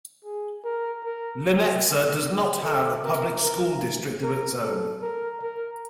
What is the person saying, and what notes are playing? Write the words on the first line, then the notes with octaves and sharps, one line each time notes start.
Lenexa does not have a public school district of its own.
G#4
A#4
A#4
A#4
A4
A#4
A#4
A#4
A4
A#4
A#4